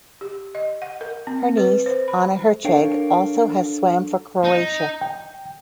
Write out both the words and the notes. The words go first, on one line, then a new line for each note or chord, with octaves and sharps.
Her niece Ana Herceg also has swam for Croatia.
G4
D#5
F#5
A#4
C4
B4
C5
B5
D4 A4 A#4 C#5 F5 G5
D#4
G5